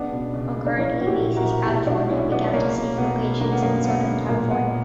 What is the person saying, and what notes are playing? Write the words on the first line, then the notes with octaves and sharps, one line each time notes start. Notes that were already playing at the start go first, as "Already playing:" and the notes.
Concurrently, Macy's California began to seek locations in Southern California.
Already playing: C#2 B3 D4
B2
C#2
C#2
D4
A#1 C#4 E4
A#1 F#4
E4 G4
A#2
F#4 A#4
A#1
B2 E4 G4
B1 D4 F#4
B1 C#4 E4
B1 B3 D4
C#2 A#3 C#4
B2
B2 B3
B2
D3 A#3
B3
F#2 A#3
F#2 B3
D3
A#2 A#3
A#2 B3